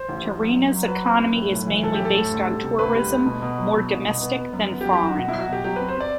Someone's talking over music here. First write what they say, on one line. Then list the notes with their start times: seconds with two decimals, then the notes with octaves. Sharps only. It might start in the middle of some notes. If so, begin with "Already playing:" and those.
Tirrenia's economy is mainly based on tourism, more domestic than foreign.
Already playing: C5
0.09 A1
0.24 A1
0.41 F#2
0.56 F#2
0.72 F#3
0.88 F#3 B4
1.04 C4
1.20 F#2
1.36 A2
1.52 B1
1.67 E3
1.83 B1 A4
1.94 A2 G4
2.05 A4
2.15 A2
2.31 D2
2.47 G3
2.63 C3
2.78 D2 B4
2.94 G3
3.11 D2
3.26 B2
3.42 B2
3.58 F#3
3.74 B2
3.90 C2
4.06 B2
4.21 B3
4.37 B3
4.53 F#2
4.69 B3
4.81 G4
4.85 F#2
4.93 G4
5.01 F#2 F#4
5.17 B2 F#4
5.28 F#3 E4
5.40 F#4
5.49 B2 G4
5.64 F#3 G4
5.76 C4 B4
5.88 C5
5.97 C4 D5